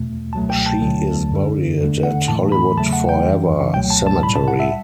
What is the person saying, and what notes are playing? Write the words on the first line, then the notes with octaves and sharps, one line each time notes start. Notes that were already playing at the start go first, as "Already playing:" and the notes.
She is buried at Hollywood Forever Cemetery.
Already playing: E2 B2 A3
C#2 B2 F#3 A3 A5
G5
A5
D2 D3 F#3 A3
F#2 D3 G3
E2 D3 A3
F#5
A2 E3 A3 A5
B5
E2 C#3 F#3 A3 A5
F#5
G5
F#2 E3 G3
C#2 B2 F#3 A3 G5
A5
A5
A2 G3 B5
A5
F#5
E5